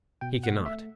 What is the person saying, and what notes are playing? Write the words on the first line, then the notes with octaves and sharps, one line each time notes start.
He cannot.
B2 G5
F#5
A3
E5